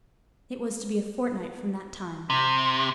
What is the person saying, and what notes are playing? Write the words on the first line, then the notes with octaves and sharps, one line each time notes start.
It was to be a fortnight from that time.
C3